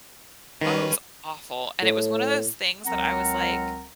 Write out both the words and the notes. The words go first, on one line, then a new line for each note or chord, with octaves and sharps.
Oh, it was awful, and it was one of those things that I was like,
D#3 G3 C#4 B4
A2
C#2 F#3 C4 A#4 F#5 A#5